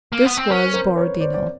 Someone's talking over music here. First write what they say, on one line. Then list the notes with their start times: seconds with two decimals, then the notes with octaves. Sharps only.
This was Borodino.
0.12 A#3
0.25 B3
0.37 C4
0.50 C#4 A#4 C5
0.73 A#4 C5
0.97 B4 C#5
1.21 C5 D5
1.34 D5